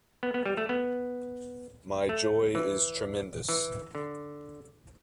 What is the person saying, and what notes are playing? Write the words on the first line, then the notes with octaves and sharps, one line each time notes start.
My joy is tremendous.
B3
B3
G3
A3
B3
A3
E3
E3
D3